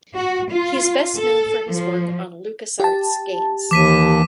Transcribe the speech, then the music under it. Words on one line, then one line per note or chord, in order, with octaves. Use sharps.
He is best known for his work on LucasArts games.
F#4
F4
A4
F3
G4 A5
D#2 E3 D6 B6 D#7